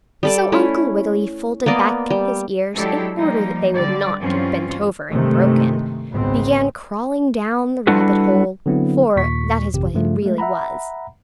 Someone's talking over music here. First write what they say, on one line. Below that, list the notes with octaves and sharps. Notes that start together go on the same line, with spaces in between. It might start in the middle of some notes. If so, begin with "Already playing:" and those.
So Uncle Wiggily, folding back his ears in order that they would not get bent over and broken, began crawling down the rabbit hole, for that is what it really was.
G3 A4 D5
A3 C#4 E4
A#3 B3 D5 D#5
G3
F#3 G#3 D4 E4 G4 A4
F3 G3 A#3 D#4
D3 G3 D5
G2 E3 F#3 C4 C#4 F4
G2 C3 D#3 G#3 A3
G#1 C#2 G#2 B3 C4
G3 D4 E4 F#4 A4 B4
D3 F#3 B3 C4 E4
D#2 A#2 C#6 B6
G#1 F2 C3 G4
G2 C#3 F3 A3 F4
G#3 A3
E5 F#5 A#5 B5